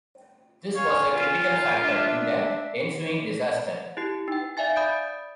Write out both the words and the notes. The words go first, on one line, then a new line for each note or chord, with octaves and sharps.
This was a critical factor in the ensuing disaster.
C#5 F5 G#5
F4
D4 E5
E4 G4 C7
D#4 G5
D5 E5 F5 G#5 A6
D5 B5 D#6 G6 A6 D7